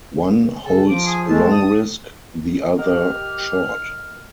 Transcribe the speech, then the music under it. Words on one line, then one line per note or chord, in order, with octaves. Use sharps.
One holds long risk, the other short.
C#3 A4
F3 D6
G#4
G#3 A3 A5
D#6
G4 A#4 D#5 F#5 F6